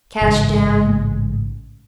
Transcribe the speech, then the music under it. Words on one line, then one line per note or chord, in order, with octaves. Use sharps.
"Cash down?"
A1 G#2 C#3